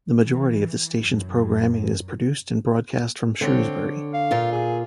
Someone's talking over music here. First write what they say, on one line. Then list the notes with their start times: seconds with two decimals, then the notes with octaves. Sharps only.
The majority of the station's programming is produced and broadcast from Shrewsbury.
0.20 E3
1.03 F#2
3.41 D3 C4 C#5
4.14 F5
4.31 A#2 F4
4.52 G#4